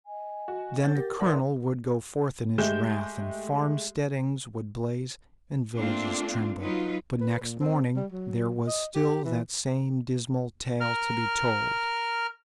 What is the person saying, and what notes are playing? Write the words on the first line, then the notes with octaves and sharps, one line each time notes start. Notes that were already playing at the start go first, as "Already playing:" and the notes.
Then the colonel would go forth in his wrath, and farmsteadings would blaze and villages tremble; but next morning there was still that same dismal tale to be told.
D#5 G#5
F#4
C#4 F#5 G6 A6
G4 A#4
G#1 A#4 B4 D5 E5 F#5 A5 C6
G#3 A3 G4 G6 E7
A3 A#3 C4 D4 F4
F#3 D#4 F4 B4
B4
A#2
C4
G3
F#3
D#5
G4
E3
A#4 F6